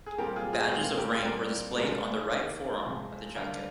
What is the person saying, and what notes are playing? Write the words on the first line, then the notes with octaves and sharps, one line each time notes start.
Badges of rank were displayed on the right forearm of the jacket.
G#4
A#2 G3 C4 G4 A#4
F4 G#4
F4 G#4
A#2 G#3 C4 F4 G#4
G4 A#4
A#2 G3 C4 A#4 D5
C3 F3 G#3 A#4 D5
D#3 A#3
C3 F3 G#3
D3 G3 A#3 D5 F5